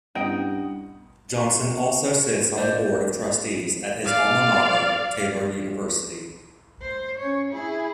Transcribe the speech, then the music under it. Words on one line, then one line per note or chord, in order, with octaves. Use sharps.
Johnson also sits on the Board of Trustees at his alma mater, Taylor University.
G2 B3 C#4 E4 D#5 F#5 G5 D#6
C#6
C5 D5 D#5
D5 F5
C5
C#4 C#5
E4 G#4